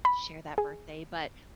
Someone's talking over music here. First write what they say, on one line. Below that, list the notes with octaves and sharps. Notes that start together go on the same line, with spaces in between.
share that birthday, but
B5
G#4